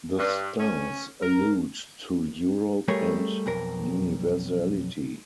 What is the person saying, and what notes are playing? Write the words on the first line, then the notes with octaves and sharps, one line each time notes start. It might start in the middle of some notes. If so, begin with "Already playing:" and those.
The stars allude to Europe and universality.
G2
C#4
A#4
G3 A3 G#4 A#4 C#5
B1 F2 A#4